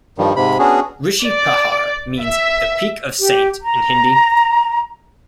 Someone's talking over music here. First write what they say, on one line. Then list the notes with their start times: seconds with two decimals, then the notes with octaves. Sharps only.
Rishi Pahar means 'The Peak of Saint' in Hindi.
0.18 G2 D#3 F3 G3
0.36 G#2 C3 B5
0.59 B3 C#4 D4 F#4 G#4
1.24 D5
2.23 E5
3.18 G4
3.61 A#5